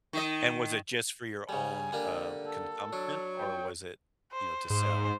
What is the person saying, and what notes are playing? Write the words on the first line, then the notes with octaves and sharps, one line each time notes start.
And was it just for your own, uh, consumption or was it, you know, to sell?
D#3 D#5
C#3 G3 G#5
D3 G3 A#3 D4
A4
F#3 D4
G5
C5
G#2 C5